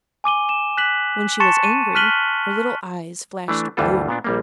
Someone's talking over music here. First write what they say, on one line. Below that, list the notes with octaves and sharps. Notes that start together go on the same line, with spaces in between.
When she was angry, her little eyes flashed blue.
G#5 D6 D#7 G7
E7
F#6 B6 F#7
A5 C6 C#6 A6 C#7 E7
D#7
F6 F#6 B6 D#7 F#7 G7
E3 A3 D4
D2 G2 E3 G3 F4 A4
A#2 B3 D4
A#1 G3 A#3